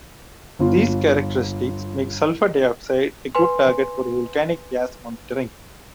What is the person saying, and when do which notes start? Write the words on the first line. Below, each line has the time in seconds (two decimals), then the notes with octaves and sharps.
These characteristics make sulphur dioxide a good target for volcanic gas monitoring.
0.59 G1 F4
3.35 B4 G#5 C6